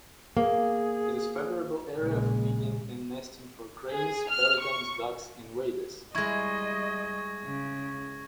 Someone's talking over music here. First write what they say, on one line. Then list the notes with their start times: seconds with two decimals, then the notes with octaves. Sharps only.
It is favorable area for feeding and nesting for Cranes, Pelicans, Ducks and Waders.
0.37 A#3 G#4
1.96 A#1 A#2 C#3 G#3
3.91 G#4
4.30 F6
4.61 C#6
6.15 G3 G#3 E4 D#5 C#6 G#6 A#6
7.45 C#3